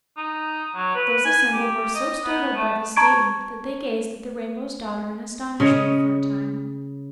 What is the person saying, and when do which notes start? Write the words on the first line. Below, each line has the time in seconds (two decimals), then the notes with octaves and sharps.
Those assembled were so startled by this statement that they gazed at the Rainbow's Daughter in astonishment for a time.
0.17 D#4
0.75 F#3
0.95 B4
1.25 G#5
1.52 G4
1.94 D#5
2.25 B3
2.56 A3
2.96 A5 A#5 C#6 G#6 D7
5.60 C#3 C#5 D#5